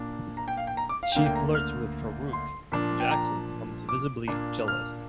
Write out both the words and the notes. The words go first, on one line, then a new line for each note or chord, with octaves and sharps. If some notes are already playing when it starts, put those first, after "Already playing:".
She flirts with Farooq and Jackson becomes visibly jealous.
Already playing: A#2 A#3 D4
A#5
G5
F5
G5
A#5
D6
F5
G5
D2 D3 A#3 F5
G5
A#5
F6
C6
A#2 F3 D4
G5
A#5
D6
A#2 A#3 D4
F6